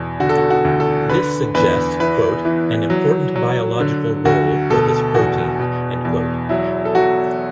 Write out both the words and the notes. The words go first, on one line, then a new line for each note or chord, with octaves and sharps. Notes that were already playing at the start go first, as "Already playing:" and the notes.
This suggests "an important biological role for this protein".
Already playing: E2 B2
D3 F#4
A4
F#4
F#4
D2
A4
D3 B4
E2 B4
E3 B4
E3
F#3
F#3
D3
D2 F#4
B2 A4
E2 F#4
B2
E2
F#3 E4
A4
F#3 F#4